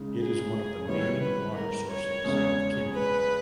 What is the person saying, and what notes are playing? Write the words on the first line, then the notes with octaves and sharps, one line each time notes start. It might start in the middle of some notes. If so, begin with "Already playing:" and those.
It is one of the main water sources of Kinmen.
Already playing: C#3 G#3 D#4
G#4
D#3 G3 B3 E4 C#5
B4
A#4
C#5
E2 C#3 G#3 C#4 G#4
B4